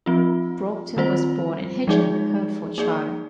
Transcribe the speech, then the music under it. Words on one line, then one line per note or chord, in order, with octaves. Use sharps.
Broughton was born in Hitchin, Hertfordshire.
F3 C4 F4
D#3 G3 C4 F4 C5
F3 G#3 D#4 G#4 D5
A#3 D#4 G#4 D5